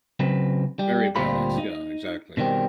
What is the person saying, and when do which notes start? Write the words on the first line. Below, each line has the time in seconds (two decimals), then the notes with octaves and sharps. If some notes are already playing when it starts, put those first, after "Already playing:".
very balanced. Yeah, exactly.
0.20 C#3 F#3 C4 B4
0.79 G3
1.16 D2 A#2 G3 C4 F4 B5
1.58 D#4
2.37 B2 D#3 G3 C4